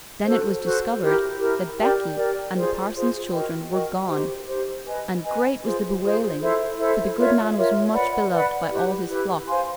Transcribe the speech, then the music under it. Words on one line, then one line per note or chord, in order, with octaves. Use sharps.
Then it was discovered that Becky and the parson's children were gone, and great was the bewailing, for the good man was much beloved by all his flock.
F#4 A4 C5
F#4 A4 C5
E4 G4 A#4
E4 G4 A#4
G4 A#4 D5 G5
G4 A#4 D5 G5
F4 G#4 C5
F4 G#4 C5
F#4 A#4 D#5 G5
F#4 A#4 D#5 G5
D#4 G4 C5
D#4 G4 C5
B4 D#5 G#5
B4 D#5 G#5
F4 G#4 C5
F4 G#4 C5
E4 A4 C5 E5
E4 A4 C5 E5
F4 A#4 C#5 E5
F4 A#4 C#5 E5
B4 D5 F#5 B5
B4 D5 F#5 B5
E4 G4 B4
E4 G4 B4
C5 F5 G#5 C6